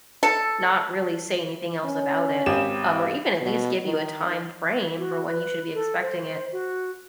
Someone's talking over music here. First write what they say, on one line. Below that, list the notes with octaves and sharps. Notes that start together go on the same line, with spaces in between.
not really say anything else about it, um, or even at least give you a time frame for when you should be expecting it.
A4
C#4
G#1 G4 E7
B2
D#3
F#4
B4
A4
C5
F#4